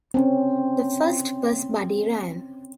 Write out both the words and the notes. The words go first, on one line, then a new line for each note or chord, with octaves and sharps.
The first was Buddy Ryan.
C4 C#4